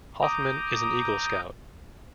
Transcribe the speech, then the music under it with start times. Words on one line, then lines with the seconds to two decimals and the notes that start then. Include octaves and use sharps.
Hoffman is an Eagle Scout.
0.22 A#5 D6 D#6 G6